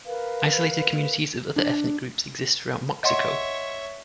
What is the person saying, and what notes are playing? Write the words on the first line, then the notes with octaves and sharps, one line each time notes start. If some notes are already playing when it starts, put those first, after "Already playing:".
Isolated communities of other ethnic groups exist throughout Moxico.
A#4 B4 F5
D4
C#5 D#5 E5 F#5 C6